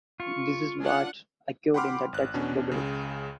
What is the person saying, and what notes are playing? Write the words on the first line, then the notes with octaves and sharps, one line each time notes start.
This is what occurred in the Dutch Republic.
F4 C#6
D4 G#4 F#5
F#5 G5 B5 C6 D6 F6
G#1 F#6
E2 B2 C#4 D4
C#2 C#3